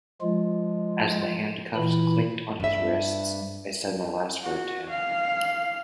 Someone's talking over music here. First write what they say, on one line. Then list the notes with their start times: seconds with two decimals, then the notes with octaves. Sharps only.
As the handcuffs clinked on his wrists I said my last word to him.
0.22 F3 G#3 F4
1.75 A#2 E3 E4 B5
2.60 G2 E5
4.43 F#4
4.90 F5